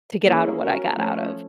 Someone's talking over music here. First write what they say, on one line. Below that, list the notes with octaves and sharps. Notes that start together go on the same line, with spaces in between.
to get outta what I got out of,
A#3 C#4 E4 G#4
C#4 F#4 A#4
F3 A3 C#4